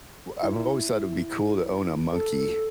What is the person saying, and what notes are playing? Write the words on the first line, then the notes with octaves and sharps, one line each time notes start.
w I've always thought it'd be cool to own a monkey.
E4
A4